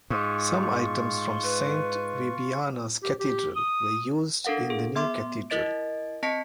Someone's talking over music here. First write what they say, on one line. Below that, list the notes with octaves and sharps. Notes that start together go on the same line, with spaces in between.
Some items from Saint Vibiana's Cathedral were used in the new Cathedral.
G#2 F4 C#6
B4
G4
G4
D#6
D4 A4 A#4 F5 F#5
G#4
B3 E5 C6 D6
E4 A#4 D#5 A6 D7
C4 D#5 A5 B6 C#7